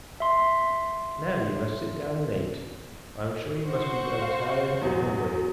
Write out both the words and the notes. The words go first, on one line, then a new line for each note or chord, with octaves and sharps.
"Now, you must sit down and eat; I am sure you must be both tired and hungry."
E5 C6
F#4 C5 C#6
F5
E2 F#3